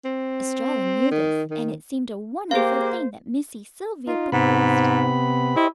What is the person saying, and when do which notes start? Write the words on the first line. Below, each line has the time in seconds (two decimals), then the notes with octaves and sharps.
Estralla knew this, and it seemed a wonderful thing that Missy Sylvia proposed.
0.05 C4
1.11 D#3
1.50 D#3
2.51 A#3 G4 G#4 C5 F5
4.07 D#4 F4
4.32 G#2 C3 B3 B5
5.56 E4 G4 C5 D#5